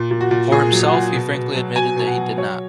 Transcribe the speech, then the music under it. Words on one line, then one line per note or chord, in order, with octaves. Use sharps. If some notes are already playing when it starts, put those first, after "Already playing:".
For himself, he frankly admitted that he did not.
Already playing: A#2
A#2
F#4
A#2
A#2 G#4
F#3
F#5
A#2
B2
B2
F#3
B2 G#5
B2 G#5
F#5
F#3
F#3 C#5